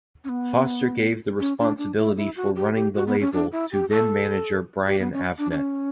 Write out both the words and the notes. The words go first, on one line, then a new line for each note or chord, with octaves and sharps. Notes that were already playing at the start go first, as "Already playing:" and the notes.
Foster gave the responsibility for running the label to then manager Brian Avnet.
C#4
B3
C#4
D4
D4
E4
E4
F#4
G4
G4
F#4
B3
C#4
D4
E4
G4
A4
G4
B3
C#4
D4
D4
C#4